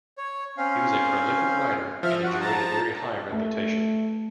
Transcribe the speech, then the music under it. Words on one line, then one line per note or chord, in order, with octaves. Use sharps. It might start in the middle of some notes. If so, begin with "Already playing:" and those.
He was a prolific writer and enjoyed a very high reputation.
C#5
C4 C#4 F5
F3 E5 F6
F#4 F#5
A5 A#5
A3